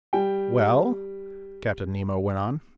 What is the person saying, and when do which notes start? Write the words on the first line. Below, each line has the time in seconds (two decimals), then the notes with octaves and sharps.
"Well?" Captain Nemo went on.
0.13 G3 G5